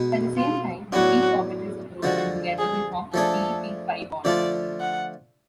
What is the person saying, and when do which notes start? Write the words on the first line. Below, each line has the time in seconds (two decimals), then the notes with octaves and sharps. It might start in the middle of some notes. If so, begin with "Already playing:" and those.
At the same time the p-orbitals approach and together they form a p-p pi-bond.
Already playing: B2 G#3 B3
0.37 F4
0.92 A2 F#3 B3 D4 F#4
2.03 D3 F3 G#3 F#4
2.58 G#4
3.14 F3 A3 D4 G#4 A4
4.25 D3 F3 A3 D4 F4 D5
4.80 F#5